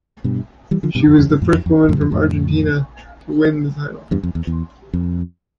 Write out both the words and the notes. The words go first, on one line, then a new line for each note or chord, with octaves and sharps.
She was the first woman from Argentina to win the title.
G2 B2
E3 G3
D3 F3
G2 B2
F2
E2 G2
G2 B2
F2 A2
F2
F2
F2 A2
G2
F2
F2 A2
E2 G2
F2
E2
E2
F2